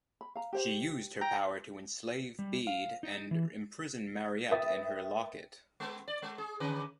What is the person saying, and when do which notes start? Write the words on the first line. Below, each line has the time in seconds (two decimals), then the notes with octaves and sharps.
She used her power to enslave Bede and imprison Mariette in her locket.
0.21 B5
0.35 F5 A#5
0.53 G4 C5 G5
1.21 G5 A#5
2.39 G3
2.67 F5
3.03 D#4
3.31 E3
4.51 A#4 B4 E5 G5 D#6 A6
5.80 G#3 B3
6.08 D5
6.22 G#3
6.38 G#4
6.60 D3 C#4 B4